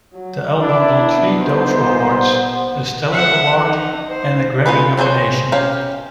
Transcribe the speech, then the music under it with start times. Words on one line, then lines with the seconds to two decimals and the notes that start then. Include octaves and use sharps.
The album won three Dove Awards, a Stellar award and a Grammy nomination.
0.14 F#3
0.61 D4 E4 D5
1.04 B3
1.38 G3 D#4 C5
3.09 E5 F#5
3.67 D#4
4.08 C5
4.66 B3 F4 G#4 B4
4.97 C4 D4 G#4 C5 C#5
5.52 C#4 G4 F5